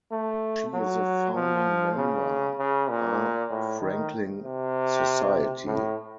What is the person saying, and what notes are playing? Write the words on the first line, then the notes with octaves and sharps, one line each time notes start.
She is a founding member R. Franklin Society.
A3
F#3
F3
C#3
C#3
A#2
A2
D#3
C3
A2